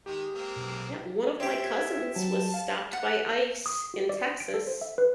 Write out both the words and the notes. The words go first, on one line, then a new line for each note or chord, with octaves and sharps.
Yeah, one of my cousins was stopped by ICE in Texas.
D#3 G#3 D#4 G4
G#3 A#3 C4
B1
C4 G4 E5 G#6
F#3 A5
F5
F#5
D#6
F#4
D5
C6
D7
A4
C5
E5
B4